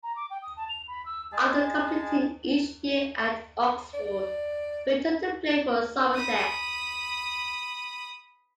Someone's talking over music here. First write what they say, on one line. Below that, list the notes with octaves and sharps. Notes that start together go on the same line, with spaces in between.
After completing each year at Oxford, he returned to play for Somerset.
A#5
D6
G5
D#6
A5
F7
B5
E6
G#3 G#4 A5
D5
B5 D#6